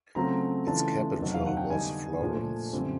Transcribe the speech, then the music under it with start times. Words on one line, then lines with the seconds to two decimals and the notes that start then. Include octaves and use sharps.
Its capital was Florence.
0.15 C#3 F#3 A3 C4 F4 A#5
0.66 C#3 E3 A3 D4 F4 A5
1.19 F2 C3 D#3 F#3
1.34 F5
1.46 F#5
1.57 G5
1.70 D3 G3 B3 D#4 G#5
2.21 A#2 F3 A3 D4 F4
2.72 F#2 D3 G3 C4 F4